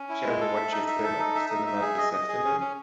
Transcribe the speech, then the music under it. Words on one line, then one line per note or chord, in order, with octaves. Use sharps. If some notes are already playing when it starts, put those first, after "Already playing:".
Shall we watch a film at the cinema this afternoon?
Already playing: C#4
E4
G#3
A4
E5
D#4
E5
A4
D#4
E5
D#4
E5
G#4
D#5
D#5
G#4
C#4
C#4